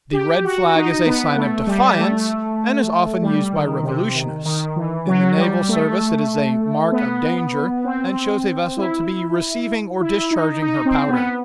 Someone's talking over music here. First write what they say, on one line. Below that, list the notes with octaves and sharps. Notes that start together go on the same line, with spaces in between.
The red flag is a sign of defiance, and is often used by revolutionists. In the naval service it is a mark of danger, and shows a vessel to be receiving or discharging her powder.
G4
F#4
D#4
B3
A3
G3
A3
G3
D#3
C3
D#3
D#3
E3
F#3
G3
A3
B3
C4
E4
E4
D#4
D#4
C4
B3